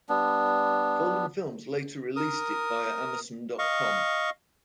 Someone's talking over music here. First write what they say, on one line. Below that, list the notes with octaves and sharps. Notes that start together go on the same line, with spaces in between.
Golden Films later released it via Amazon dot com.
G3 B3 D4
A#4 D#6
D#5 F5 C#6